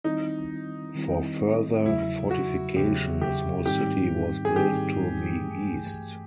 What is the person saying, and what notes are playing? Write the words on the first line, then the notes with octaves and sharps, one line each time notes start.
For further fortification, a small city was built to the east.
D#3 G3 C4 D#4 E4
D#3 G3 C4 E4
E2 C#3 F#3 E4
F#4
E2 C#3 F#3 G4
G4
G#2 D#3 G3 C4 D#4 G4
G#4
G#2 D#3 G3 C4 D#4 G4
G2 E3 A3